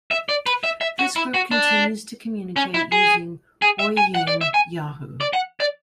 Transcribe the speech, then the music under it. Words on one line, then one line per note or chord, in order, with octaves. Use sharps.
This group continues to communicate using Ouyang Yahoo!
E5
D5
B4
E5
E5
F#4
E4
F#4
D4
C#4
E4
G#4
G#4
E5
G#5
F#5
D5
E5
G#5
D5
F#5
D5